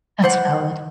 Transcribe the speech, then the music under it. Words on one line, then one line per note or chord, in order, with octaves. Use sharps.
That's valid.
E3 C5 F#5